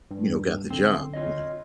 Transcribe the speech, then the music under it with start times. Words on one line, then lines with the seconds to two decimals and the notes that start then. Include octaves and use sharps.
you know, got the job, you know
0.11 G2
0.70 B1 D3 C4
1.14 F4 C#5 D#5